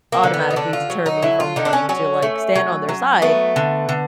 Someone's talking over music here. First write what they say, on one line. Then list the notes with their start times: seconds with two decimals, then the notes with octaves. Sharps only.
automatically deter me from wanting to, like, stand on their side,
0.12 A#3
0.23 D3
0.34 B3
0.51 D#4
0.56 D3 D4
0.73 F4
0.90 F#3
1.06 D#4
1.22 D3 E4
1.40 F4
1.56 D3 D#4
1.65 D4
1.73 C#4
1.89 F#3 C#4
2.22 A3
2.56 F#3
2.89 F#3
3.22 A3 B3
3.56 D3
3.89 D3